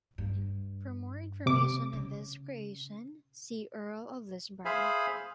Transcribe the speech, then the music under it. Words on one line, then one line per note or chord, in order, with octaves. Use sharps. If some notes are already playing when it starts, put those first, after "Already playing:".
For more information on this creation, see Earl of Lisburne.
G2
C3 D6
C#3
G#4 C5 E5 F5 G#5 B5